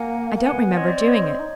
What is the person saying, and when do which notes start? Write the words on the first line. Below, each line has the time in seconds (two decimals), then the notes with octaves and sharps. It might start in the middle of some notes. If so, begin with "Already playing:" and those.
I don't remember doing it.
Already playing: A#3 F#5 G#5
0.36 A#3
0.46 B3 F#5 G#5
0.77 C4 C#5 D#5
0.88 C5 D5
0.98 C5 D5
1.07 C#5 D#5
1.39 D#4